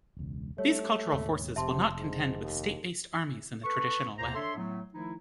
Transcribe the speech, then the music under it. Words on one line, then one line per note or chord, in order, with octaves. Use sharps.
These cultural forces will not contend with state-based armies in the traditional way.
E1 C#2
G3 A3 C#5
D#2 G#2 B2
F1 C3 E5 A5 C6
G#2
D#2
A4 B4 C#6
D#2 A2 C3 A#3 C5 A#5
D4 A4 C#5 E5 C6
A2 F#3 A3 B3
D#3 F3 A3 D#4 E4